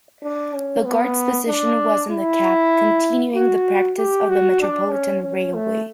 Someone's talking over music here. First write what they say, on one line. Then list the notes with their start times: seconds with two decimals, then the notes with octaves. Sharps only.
The guard's position was in the cab, continuing the practice of the Metropolitan Railway.
0.23 D4
0.54 C#4
0.85 B3
1.48 D4
2.10 E4
3.35 F#4
3.98 G4
4.29 F#4
4.61 D4
4.91 C#4
5.22 C#4
5.54 A3